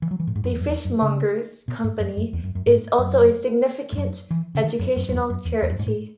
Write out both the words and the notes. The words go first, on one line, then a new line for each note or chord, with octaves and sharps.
The Fishmongers' Company is also a significant educational charity.
E3
F#3
E3
A2
G#2
F#2
E2
F#2
E2
F#2
C#3
B2
G#2
F#2
F#2
E2
F#2
F#2
G#2
F#2
G#2
F#2
E3
C#3
D#3
F#2
F#2
F#2
E2
F#2
E2
E2
F#2
G#2
A2